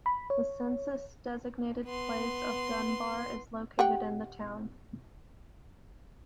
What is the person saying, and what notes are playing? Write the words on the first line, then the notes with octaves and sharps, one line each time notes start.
The census-designated place of Dunbar is located in the town.
B5
C#5
B3 C6
G4 F#5 G5